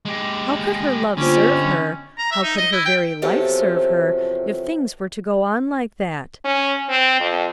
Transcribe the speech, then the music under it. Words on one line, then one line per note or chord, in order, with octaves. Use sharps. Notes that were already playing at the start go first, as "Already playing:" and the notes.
How could her love serve her,--how could her very life serve her, if things were to go on like that?
G#3 G4
D3 A#3 C#4 F4 G4 C5
D#5
A#5
E5
D#4
D#5
E4
G5
E2 C3 F3 F#3 A3 A4
C#4
C4
F2